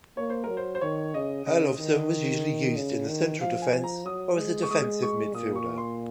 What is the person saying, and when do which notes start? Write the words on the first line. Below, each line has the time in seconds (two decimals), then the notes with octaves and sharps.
Herlovsen was usually used in the central defence or as a defensive midfielder.
0.17 A#3 C#5
0.30 C5
0.44 A#4
0.49 F#3
0.57 C5
0.75 C5
0.81 D#3 C#5
1.14 C#3 D#5
1.46 C#3 D#5
1.78 D#3
2.76 C#3
3.08 D#3
3.40 F3 F5
3.62 G#5
3.73 F3
3.84 A#5
4.05 F#3 D#6
4.37 G#3
4.63 C#6
4.70 G#3 D#6
5.02 C#6
5.34 A#2 D#6
5.55 C#6
5.78 C6